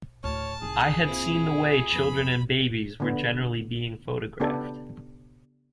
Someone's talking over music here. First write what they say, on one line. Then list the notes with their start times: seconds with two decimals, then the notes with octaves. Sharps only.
I had seen the way children and babies were generally being photographed.
0.24 D2 A2 C#5 A5 F6
0.62 C2 D#4 G#4
1.06 A#3 C4 E4 F4
1.92 F2 F3 B3 B5
3.00 D3 B3
4.40 C#3 B3 D4 G4 A4